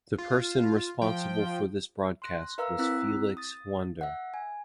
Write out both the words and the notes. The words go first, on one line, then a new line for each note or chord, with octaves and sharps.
The person responsible for this broadcast was Felix Huonder.
F4
F3 G5
C6 F#6 A#6
A#4 B4 E5 F5 A#5 E6
C4 E4 A#5 E6 F#6 B6
D#6 A6
E5 F#5
G#5